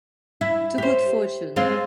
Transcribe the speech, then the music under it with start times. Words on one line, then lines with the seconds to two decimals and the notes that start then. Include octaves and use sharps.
To good fortune.
0.41 E4
0.78 G4 C5
1.56 G#3 C4 F4